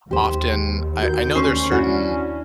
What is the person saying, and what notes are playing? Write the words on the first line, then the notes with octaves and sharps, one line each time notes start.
often, I I know there's certain,
D#2 G4 C5
F#4 A#4 G6
D2 C#4 C5 C#6 C7
D4 E4 F#4